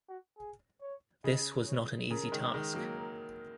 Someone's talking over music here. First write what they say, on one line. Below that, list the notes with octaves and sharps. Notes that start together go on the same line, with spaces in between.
This was not an easy task.
F#4
G#4
C#5
C#3 D#5
C#5
C#3 A#4
D#3 G#3
D#3 G#3
F#3 A#3
A#4